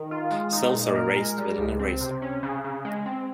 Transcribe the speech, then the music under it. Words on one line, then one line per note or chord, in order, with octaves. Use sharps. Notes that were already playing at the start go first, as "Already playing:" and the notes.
Cells are erased with an eraser.
Already playing: D#3
F4
G#3
D#4
A#2
A#4
G#3
G3
C#2
C4
C3
C#4
C#3
C#3
G#3
C4